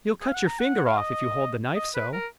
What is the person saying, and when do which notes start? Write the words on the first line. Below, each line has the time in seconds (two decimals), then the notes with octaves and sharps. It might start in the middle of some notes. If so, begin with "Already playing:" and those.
"You'll cut your finger off, if you hold the knife so!"
0.21 G#4
0.28 F5
0.34 F#5
0.47 A#5
0.59 F#5
0.86 F5
0.98 D#5
1.75 D#5
1.95 B4
2.13 A#4